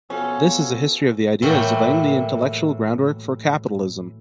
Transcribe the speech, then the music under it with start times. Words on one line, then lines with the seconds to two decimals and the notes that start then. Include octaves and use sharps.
This is a history of the ideas laying the intellectual groundwork for capitalism.
0.10 B2 F3 C#4 A4
1.42 A2 E3 F#3 A#3 G4